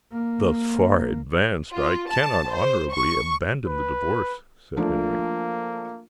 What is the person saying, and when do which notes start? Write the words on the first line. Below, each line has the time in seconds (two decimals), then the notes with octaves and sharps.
"Thus far advanced, I cannot honourably abandon the divorce," said Henry.
0.13 A#3
1.74 F4
2.08 A5
2.51 C5
2.93 C#6
3.66 B4
4.77 F3 A3 A#3 D4